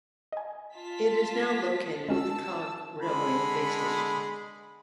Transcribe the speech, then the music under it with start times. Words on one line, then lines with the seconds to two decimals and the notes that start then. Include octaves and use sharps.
It is now located at the Cog Railway Base Station.
0.32 D#5 G#5
0.74 F4 A5 B6
2.08 G#3 C#4 F#4 A5 E6
3.01 D3 G#3 B5